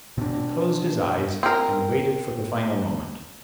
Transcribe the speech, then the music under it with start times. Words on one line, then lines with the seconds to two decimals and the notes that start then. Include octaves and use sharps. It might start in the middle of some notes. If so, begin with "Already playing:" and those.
He closed his eyes and waited for the final moment.
0.17 B2 D4
1.43 C4 A#4